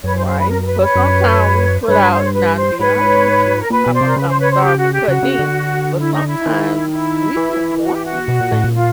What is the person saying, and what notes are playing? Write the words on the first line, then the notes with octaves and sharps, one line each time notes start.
Right, but sometimes we put out now to be honest with you, I'm a I'm sorry for cutting in, but sometimes we can want these things,
F#2 B4 C#5
C5
C5
B4
A#4
A#4
B4
B4 C#5
F#2
C5
G2 B4 C#5
C5
C#5
C5
B4
C5
G#2 B4 C#5
A#4
A#2 B4
B2
C5 D5
C3
A#4
C#3 B4
C5
B4 C#5
C5
G4
F#4
G4
C#3 F#4
C#3
D3
E4
D#4
E4
D#3
E4
E3
F#4
G4
F#4
B2
A#2
A2
A#2
F4